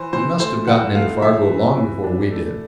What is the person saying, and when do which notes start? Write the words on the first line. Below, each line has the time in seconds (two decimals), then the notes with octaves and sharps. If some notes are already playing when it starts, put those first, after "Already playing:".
He must have gotten into Fargo long before we did.
Already playing: E3 C5
0.13 E3 C5
0.40 A3 C5
0.67 E3 F#5
0.95 A3 F5
1.22 E3 E5
1.49 E3
1.76 E3
2.04 D4
2.32 A3